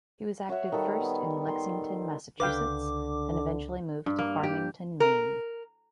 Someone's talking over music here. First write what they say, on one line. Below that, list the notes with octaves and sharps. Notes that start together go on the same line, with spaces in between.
He was active first in Lexington, Massachusetts, then eventually moved to Farmington, Maine.
F#4 C#5 E5 F#5
D#3 G3 A4 B5
B3
D#3 C6
C#2 D3 B4 F5 G5 D6
G2
A#3
G4
A#4